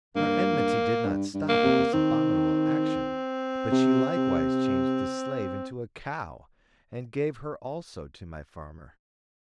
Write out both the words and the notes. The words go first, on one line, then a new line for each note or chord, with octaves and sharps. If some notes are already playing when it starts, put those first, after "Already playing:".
Her enmity did not stop at this abominable action, but she likewise changed the slave into a cow, and gave her also to my farmer.
G2 A#3
G2
G2
A#3
C3
D#3 C4
C3
C3